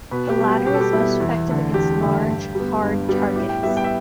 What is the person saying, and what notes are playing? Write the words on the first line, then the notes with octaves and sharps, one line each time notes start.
The latter is most effective against large, hard targets.
B2 B4
G4
G3 B3
G4
B2 G4
A4
G4
G3 B3 E4
E2
D3 A3
E2 G4
A3
D3
G2
G3 B3
G2
G3 B3
A2 G4
G5
G3 B3 E5
G5
E5